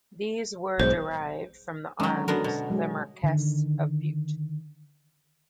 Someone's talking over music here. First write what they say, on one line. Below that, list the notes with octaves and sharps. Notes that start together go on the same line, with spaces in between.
These were derived from the arms of the Marquess of Bute.
B1 G#2 C5
D#3 F#3 G#3 C#4
D3 F#3 B3 A#4
B2
F#3 G#3
D3 D#3